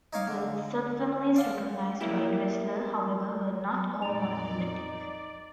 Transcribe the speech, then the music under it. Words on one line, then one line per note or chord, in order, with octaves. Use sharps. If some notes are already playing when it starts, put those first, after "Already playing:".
The subfamilies recognized by Dressler, however, were not all monophyletic.
D#4 C#5 F5 D6
D3
D5 F5 F#5
A#3 E4 G4
F2 A#2 D#4 D5 A#5 F7